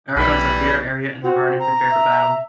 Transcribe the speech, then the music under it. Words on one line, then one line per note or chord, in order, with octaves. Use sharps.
Eragon, Saphira, Arya, and the Varden prepare for battle.
B1 E3 G3 B5
C4 F#4
A#5
E5